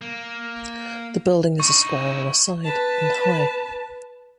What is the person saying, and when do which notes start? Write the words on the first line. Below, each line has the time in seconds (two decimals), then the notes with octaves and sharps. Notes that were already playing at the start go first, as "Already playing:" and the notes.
The building is a square on a side, and high.
0.01 A#3
1.60 D#4 E4 C#6
2.65 B4 A5